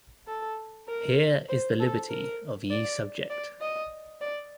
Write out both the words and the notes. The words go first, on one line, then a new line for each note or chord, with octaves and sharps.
Here is the liberty of ye subject.
A4
A#4
C5
A4
A#4
D5
D5
D#5
D5